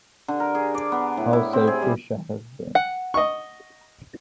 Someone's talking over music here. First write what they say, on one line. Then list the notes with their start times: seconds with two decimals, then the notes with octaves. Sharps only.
How selfish I have been!
0.28 D3
0.40 A#4
0.55 G#4
0.74 D5
0.92 B3
1.17 A2
1.33 E4
1.53 C4
1.67 G#4
1.82 G3
2.75 F#5
3.14 D#5 C#6